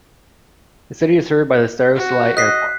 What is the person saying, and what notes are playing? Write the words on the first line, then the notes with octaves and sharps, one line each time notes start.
The city is served by the Staroselye Airport.
F#4
D#5 F#6 B6 C7